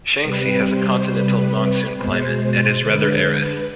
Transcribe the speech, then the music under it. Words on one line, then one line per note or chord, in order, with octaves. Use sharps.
Shanxi has a continental monsoon climate, and is rather arid.
C3 G3 B4
C5
C3 G3 B4
B2 G#3 C5
C5
D3 G#3 B4